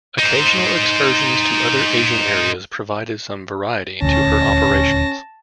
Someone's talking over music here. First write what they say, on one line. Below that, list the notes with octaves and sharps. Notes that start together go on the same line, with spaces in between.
Occasional excursions to other Asian areas provided some variety to her operations.
D#4 C5
D#1 G#1 D2 C#4 A5 A#6